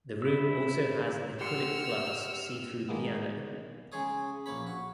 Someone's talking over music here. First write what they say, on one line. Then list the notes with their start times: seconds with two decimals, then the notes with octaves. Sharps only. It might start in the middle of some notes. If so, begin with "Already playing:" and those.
The room also has an acrylic glass see-through piano.
0.22 E4 E6
1.41 G4 F#5 C6 E6 F6
2.88 D#3 G#3 A#3 B3
3.92 C#3 G#3 G#4 C#5 D#6
4.46 A#1 A#3 C#5 B5
4.67 F#4